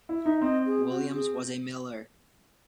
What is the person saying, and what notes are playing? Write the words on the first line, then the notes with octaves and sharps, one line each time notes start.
Williams was a miller.
E4
E5
D#4
C4 D#5
G#4
F#4
G#4